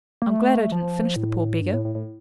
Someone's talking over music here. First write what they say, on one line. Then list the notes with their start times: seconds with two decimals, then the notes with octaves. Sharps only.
I'm glad I didn't finish the poor beggar.
0.22 A#3
0.27 A3
0.72 F3
1.16 A2
1.61 G2
1.74 A2
1.85 A2
1.95 A2